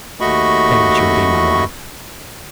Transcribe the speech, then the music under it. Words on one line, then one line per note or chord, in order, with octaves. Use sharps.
"Say that you will be my wife."
D#2 A3 F#4 D#5 B5 C#6